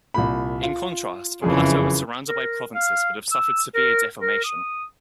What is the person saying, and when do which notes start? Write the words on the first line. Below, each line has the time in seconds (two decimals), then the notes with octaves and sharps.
In contrast, the plateau is surrounded by provinces that have suffered severe deformation.
0.14 C2 A#2 B5
0.63 F4
1.42 F#1 F2 C#3 E3 G#4
2.28 A#4
2.75 F5
3.31 E6
3.75 A#4
4.21 A#4
4.44 D#6